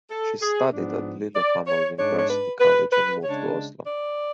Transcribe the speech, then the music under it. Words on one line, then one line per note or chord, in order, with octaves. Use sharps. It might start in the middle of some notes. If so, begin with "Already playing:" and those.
She studied at Lillehammer University College and moved to Oslo.
A4
G#4
G#2 F3 B3 D4
D5
C#5
G#2 G#3 D4 C#5
C#5
B4
B4
B4
C#3 G#3 D4 C#5
D5